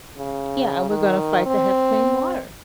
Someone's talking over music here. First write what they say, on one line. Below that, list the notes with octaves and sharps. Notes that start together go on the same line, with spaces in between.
Yeah, and we're gonna fight to have clean water,
C#3
D#3
C4